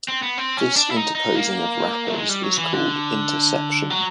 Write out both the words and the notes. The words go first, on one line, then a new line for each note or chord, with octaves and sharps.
This interposing of wrappers is called "interception".
C4
B3
C4
C#4
D4
E4
D#4
D#4
A#3
A3
G#3
G3
F#3
E3
D3
F#3